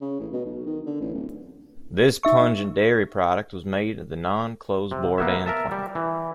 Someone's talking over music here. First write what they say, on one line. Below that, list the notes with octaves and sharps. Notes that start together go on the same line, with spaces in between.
This pungent dairy product was made at the now-closed Borden plant.
C#3
A1
B2
B1
D#3
D3
A1
D1
D#4 E5 C#6
C3
A#3 B3 E5
A#4 E5 A5
G3
E3